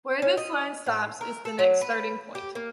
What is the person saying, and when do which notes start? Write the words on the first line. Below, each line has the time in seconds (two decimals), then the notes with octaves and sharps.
Where this line stops is the next starting point.
0.22 C#4
0.37 D#5
0.86 A2
1.21 A#4
1.45 A4
1.59 F#3
1.81 B4
2.35 G4
2.55 A#3